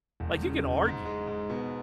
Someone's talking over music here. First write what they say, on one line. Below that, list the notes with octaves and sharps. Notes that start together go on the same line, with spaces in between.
like, you can argue
E1
C#3
E1
G#2
G#3
G#2
B2